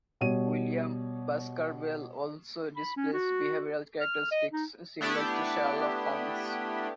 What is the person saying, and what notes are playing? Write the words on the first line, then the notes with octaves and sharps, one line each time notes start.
William of Baskerville also displays behavioral characteristics similar to Sherlock Holmes'.
B2 G3 C#5 D#7
B5
C#4
F#4
F6
D#5
D#4
A3 B3 D4 E4 G4